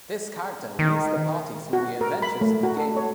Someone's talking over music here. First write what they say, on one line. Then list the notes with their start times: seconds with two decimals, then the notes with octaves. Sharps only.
This character leads the party through the adventures in the game.
0.79 D#3
1.73 F#4
2.01 A#4
2.22 B5
2.41 A3
2.63 F#4
2.77 A4
2.96 C#5